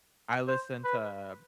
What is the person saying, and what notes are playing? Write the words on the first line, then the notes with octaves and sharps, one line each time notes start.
I listen to
C5
B4